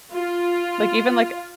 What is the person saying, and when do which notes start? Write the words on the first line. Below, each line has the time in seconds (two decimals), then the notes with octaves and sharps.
Like, even, like,
0.13 F4